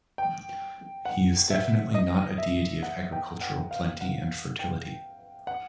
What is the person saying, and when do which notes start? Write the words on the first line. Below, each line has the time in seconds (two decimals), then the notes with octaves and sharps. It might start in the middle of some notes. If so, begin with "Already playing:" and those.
He is definitely not a deity of agricultural plenty and fertility.
0.18 G5
1.05 F#5
1.50 E5
1.94 D#5
2.38 E5
2.83 F#5
3.12 G5
3.41 F#5
3.71 F5
4.01 F#5
4.59 G5
5.47 F#5